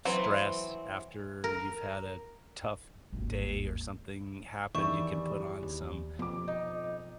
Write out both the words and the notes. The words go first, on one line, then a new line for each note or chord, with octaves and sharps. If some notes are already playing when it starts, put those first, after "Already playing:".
stress after you've had a tough day or something happened, you can put on some
E3 F#3 C4
A#4
G#1 D#2
E2 D#3 G3 E5 C#6
D#2
F2 B2 D6
D#4